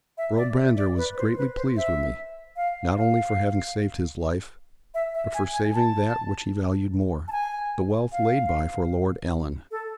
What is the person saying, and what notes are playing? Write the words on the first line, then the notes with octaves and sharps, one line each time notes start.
Earl Brandir was greatly pleased with me, not only for having saved his life, but for saving that which he valued more, the wealth laid by for Lord Alan.
E5
D5
E5
D5
B4
C5
B4
C5
E5
F5
F5
E5
E5
G#5
G#5
A5
A5
G#5
F5
A4